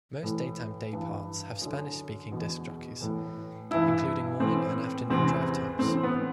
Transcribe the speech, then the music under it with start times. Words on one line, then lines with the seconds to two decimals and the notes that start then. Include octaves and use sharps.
Most daytime dayparts have Spanish-speaking disc jockeys, including morning and afternoon drive times.
0.23 A2 E3
0.93 G2 E3
1.62 F#2 D3
2.32 E2 B2
3.01 A2 E3
3.71 G2 E3 E4
4.40 A2 E3 C4
5.10 E2 C3 E3 C4
5.79 A2 E3 C4
6.03 B3